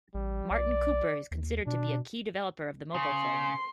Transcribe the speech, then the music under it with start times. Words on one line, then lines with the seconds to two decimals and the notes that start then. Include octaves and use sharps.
Martin Cooper is considered to be a key developer of the mobile phone.
0.14 A1 G3
0.50 B1 D5
1.31 D#2
1.67 B2 D4
2.94 C#3 C6